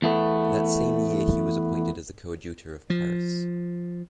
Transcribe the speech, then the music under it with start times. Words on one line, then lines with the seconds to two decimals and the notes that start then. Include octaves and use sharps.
That same year, he was appointed as the Coadjutor of Paris.
0.02 E2 A3 B3
2.90 F3